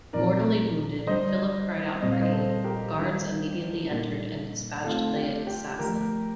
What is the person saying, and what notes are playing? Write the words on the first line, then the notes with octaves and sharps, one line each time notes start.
Mortally wounded, Philip cried out for aid; guards immediately entered and dispatched the assassin.
A#2 F3 C4 D#4 A#4 D5
D3 G3 D4 C5 D#5
A#2 G3 C4 D#5
F5
C5 D#5
A4 C5
G4 A#4
D#3 G3 D4
A#2 G3 A#3 D#4
D3 A3 C4 D#4 F4 A4
G4
G4
D3 F3 A3 G4 A#4